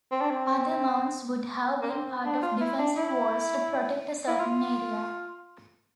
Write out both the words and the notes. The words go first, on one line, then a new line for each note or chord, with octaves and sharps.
Other mounds would have been part of defensive walls to protect a certain area.
C4
D4
C4
A#3
C4
D4
F4
E4
D4
E4
E4
F4